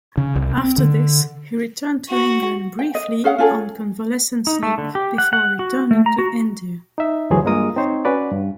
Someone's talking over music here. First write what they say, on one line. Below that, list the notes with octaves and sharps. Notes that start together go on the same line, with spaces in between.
After this he returned to England briefly on convalescence leave before returning to India.
C#3
C2
C4
D3
F#4
G5
D#5
C#4 G#4 F5 F#5
C#4 F4 G#4 A4
D#4
A3
D3
G4
F#5
F#5
F#4
A3
A#5
F#4
D#4 E5
D2 G2 E3 F#3 G#4 C5
G2 G#3 A#3 F4 A#4 D#6
C4 D#4 C5 C#5
C#4 F#4 B4 D5
G2